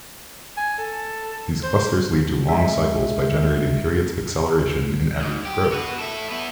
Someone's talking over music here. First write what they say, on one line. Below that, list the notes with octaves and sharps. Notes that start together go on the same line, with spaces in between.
These clusters lead to long cycles by generating periods of acceleration in aggregate growth.
G#5
A4
C5
G#3 E5
G#2
G4
F#4 B4
E4 A4
B3 E4